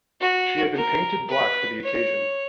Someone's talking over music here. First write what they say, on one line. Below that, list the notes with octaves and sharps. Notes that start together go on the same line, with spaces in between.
She had been painted black for the occasion.
F#4
A#4
B4
C#5